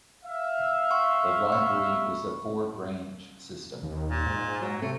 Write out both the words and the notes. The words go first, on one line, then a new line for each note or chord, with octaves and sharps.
The library is a four-branch system.
E5 F5
F#5 C6 C#6
B5 C#6
D#2
A#2
G#2
F#3
C3 A3